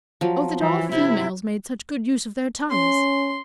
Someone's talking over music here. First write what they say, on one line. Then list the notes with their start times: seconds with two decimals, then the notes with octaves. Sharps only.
Oh! that all females made such good use of their tongues!
0.21 F3 F#3
0.61 E3
0.92 C3 E4
2.70 C#4 C6